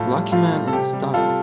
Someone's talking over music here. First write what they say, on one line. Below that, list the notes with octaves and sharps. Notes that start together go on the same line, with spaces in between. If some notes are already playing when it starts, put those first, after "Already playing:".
Luckyman in style.
Already playing: A2 F4 A4
G3
A2 F4 A4
G3
A4
C3 G4
G3
G3 F4 A4